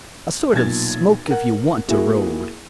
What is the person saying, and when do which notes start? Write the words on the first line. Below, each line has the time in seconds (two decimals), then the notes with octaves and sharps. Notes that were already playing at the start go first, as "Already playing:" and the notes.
A sort of 'smoke-if-you-want-to' road.
0.53 B1 A#2 G#6 A6
1.27 A#4 F#5
1.88 A#3 E4 F#4 G#4